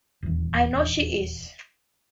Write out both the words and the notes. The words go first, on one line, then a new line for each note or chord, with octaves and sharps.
I know she is.
D#1 E2